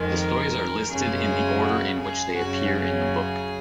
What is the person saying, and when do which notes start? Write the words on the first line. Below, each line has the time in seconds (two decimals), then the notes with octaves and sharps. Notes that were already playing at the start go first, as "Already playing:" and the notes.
The stories are listed in the order in which they appear in the book.
Already playing: F2 D#3 G#3
0.15 A#4
0.89 F#2 C#3 G#3 G#4
1.62 F#4
1.99 G#4
2.36 F#2 C#3 F#3 F#4
2.73 G#4